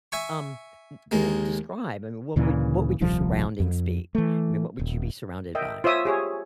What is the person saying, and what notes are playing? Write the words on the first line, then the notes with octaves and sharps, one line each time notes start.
um, w well, describe I mean, what would what would your surroundings be? I mean, what would you be surrounded by?
E5 G#5 C#6
D#2 G#3 A#3
D2 A#2 C#3 E3
D#1 C2 F3
F2
E3 A3
D#1
A#4 D#5 E5 G5
F4 C5 C#5 E5 D#6
G4 G#4 C#5